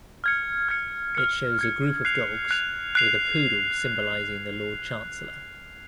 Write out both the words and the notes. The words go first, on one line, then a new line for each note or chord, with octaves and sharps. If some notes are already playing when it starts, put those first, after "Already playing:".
It shows a group of dogs, with a poodle symbolising the Lord Chancellor.
F6 G#6 C#7
F6 G#6 C#7
F6 G#6 C#7
F6 G#6 C#7
F#6 C7 F7
F#6 C7 F7
F#6 C7 F7